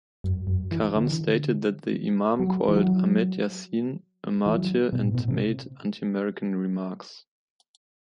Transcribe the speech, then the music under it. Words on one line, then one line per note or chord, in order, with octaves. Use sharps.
Karam stated that the Imam called Ahmed Yassin a martyr and made anti-American remarks.
F#2
F#2
E3
D3
E3
D3
F#3
E3
F#3
E3
F#3
B2
A2
B2
C3